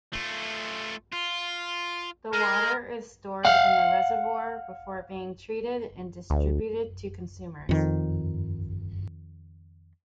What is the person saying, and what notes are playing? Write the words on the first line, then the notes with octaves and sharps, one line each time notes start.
The water is stored in the reservoir before being treated and distributed to consumers.
A3 F4
F4
G#3 A#4
F5 F#5
D2
F2 D#3